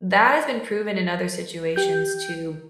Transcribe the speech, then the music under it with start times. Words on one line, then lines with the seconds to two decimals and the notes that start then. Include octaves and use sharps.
that has been proven in other situations to
1.76 G4 G6